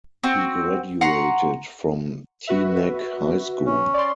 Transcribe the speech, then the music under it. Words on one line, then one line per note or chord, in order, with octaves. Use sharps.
He graduated from Teaneck High School.
C4 F#4
F#5 A#5 C6 C#6
F#4 B4 E5
C#4
D5 C6